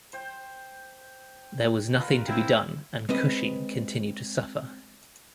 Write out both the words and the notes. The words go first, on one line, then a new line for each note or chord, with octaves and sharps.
There was nothing to be done and Cushing continued to suffer.
C5 G5
F4 A#4 B4
C4 E4
G#3 C4 B4 D#5